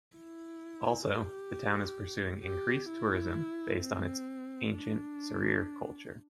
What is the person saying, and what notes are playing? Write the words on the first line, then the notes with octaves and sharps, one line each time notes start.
Also, the town is pursuing increased tourism based on its ancient Serer culture.
E4
G4
G4
E4
C4
D4